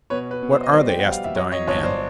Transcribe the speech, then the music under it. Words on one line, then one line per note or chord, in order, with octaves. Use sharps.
"What are they?" asked the dying man.
B2 B4 C#5
B4
B2
C5
D#5
G3 C5 D5
G5
F#5
G3
F5
E5
F#3 C#5 D#5
C#5 D#5
G1 C#5 D#5
C5 D5